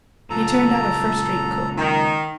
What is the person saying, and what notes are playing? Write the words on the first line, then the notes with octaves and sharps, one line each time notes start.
He turned out a first-rate cook.
C#2 A#2 A4 A#5
D#3